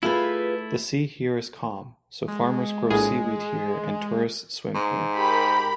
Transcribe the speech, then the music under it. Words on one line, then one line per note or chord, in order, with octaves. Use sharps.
The sea here is calm, so farmers grow seaweed here and tourists swim here.
A3 E4 F4 G#4 B4
G#3
A#1 A2 G#4
G#2
G4 A#4 B5